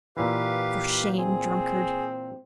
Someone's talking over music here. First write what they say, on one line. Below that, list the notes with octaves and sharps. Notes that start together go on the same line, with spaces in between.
For shame, drunkard!'
A#2 E3 G4 B4 F5
C4 G#4